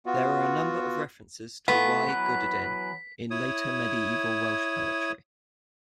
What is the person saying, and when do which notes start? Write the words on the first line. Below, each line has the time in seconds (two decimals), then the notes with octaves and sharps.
There are a number of references to "Y Gododdin" in later Medieval Welsh poetry.
0.06 B3 F4 F#4
1.68 E3 A3 B3 F4 B6
2.07 E3 F#3 B4
3.31 E4 C#5 D#6